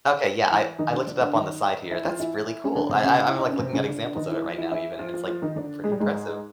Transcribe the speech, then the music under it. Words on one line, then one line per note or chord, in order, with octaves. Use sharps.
Okay, yeah, I I looked it up on the side here. That's really cool. I I I'm, like, looking at examples of it right now even, and it's, like, pretty impressive.
E3 E4
D#3 D#4
D3 D4
D3 D4
D3 D4
D#3 D#4
E3 E4
F3 F4
E3 E4
C#4
D3 D4
C3 C4
C#3 C#4
E4
D#4
D4
C#4
C3 C4
C#3 C#4
D3 D4
D4
D#3 D#4
E3 E4
F3 F4
E3 E4
E3 E4
F3 F4
F3 F4
F3 F4
D#3 D#4
D3 D4
G#3
G3
G#2 G#3